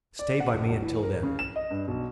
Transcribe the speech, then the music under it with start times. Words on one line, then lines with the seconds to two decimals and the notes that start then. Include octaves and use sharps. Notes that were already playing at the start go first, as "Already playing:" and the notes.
Stay by me until then.
0.19 D5
0.40 F#5
0.54 A#1
0.69 E1
0.82 E3
1.03 A#4
1.23 C#3
1.39 E7
1.56 D#5
1.70 G2
1.88 B1